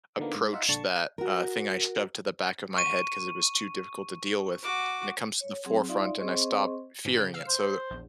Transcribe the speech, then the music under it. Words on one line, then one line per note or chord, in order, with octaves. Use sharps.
approach that, uh, thing I shoved to the back of my head 'cause it was too difficult to deal with. And it comes to the forefront, and I stop fearing it. So, u
D3 D#3 F3 A#3 B3
G#2
D#4 F4 E5 F#5
A#1 D3 A5 C#6
G6
F#4 A#4
C#6 D#7
F#4 D6
C#5
F#3 C4 G#4
D#4 F4 D5 E5 F5 C6
C4 G#4 C5 D#5 C6 C#6
G#2 E3
C#3 G6
F5 E6 F6
C5
A#1 E2